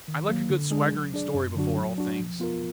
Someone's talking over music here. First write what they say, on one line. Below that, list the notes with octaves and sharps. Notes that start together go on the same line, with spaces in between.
I like a good swaggering story before all things.
D#3
F#3 A#3
D3
G#3 D4 G#4
F#3
D4 G#4 D5
F#2
D3 F#3 D4 F#4
F#3
D4 F#4
F3
B3 F4 A#4